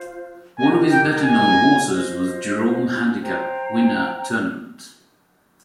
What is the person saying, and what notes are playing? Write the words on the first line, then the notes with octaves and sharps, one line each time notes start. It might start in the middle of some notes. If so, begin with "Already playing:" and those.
One of his better known horses was Jerome Handicap winner, Tournament.
Already playing: F4 C5 F5
D#4 G4 A#4 D#5 G#5
G5
G#5
F4 C5 D#5
C5 G5 A#5